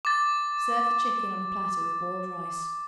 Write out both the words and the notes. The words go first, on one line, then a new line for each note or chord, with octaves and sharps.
Serve the chicken on a platter with boiled rice.
D6 A6